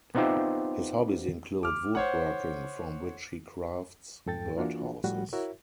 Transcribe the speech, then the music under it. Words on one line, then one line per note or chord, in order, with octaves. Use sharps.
His hobbies include wood working from which he crafts bird houses.
B3 C4 D#4 F4 G4 E5
D6 F6
C5 C#5 F#5
F2 G#2 A4 G5 A6
E3 A#3 D4 F4 F#4
A2 F3 G3 F#4 F#5
E4 F#4 A#4 C#5 E5